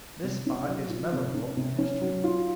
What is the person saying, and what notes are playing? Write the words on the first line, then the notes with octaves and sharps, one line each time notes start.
This spot is memorable in history.
C3
C#4
F#3
F4
C3
C#4
C3
C#4
F#3
F4